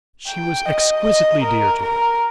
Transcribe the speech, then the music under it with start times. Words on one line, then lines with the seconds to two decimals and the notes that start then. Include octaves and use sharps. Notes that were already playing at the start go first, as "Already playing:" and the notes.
She was exquisitely dear to him.
0.28 G5
0.66 D#5
1.04 D#5
1.43 A#4
1.82 A#4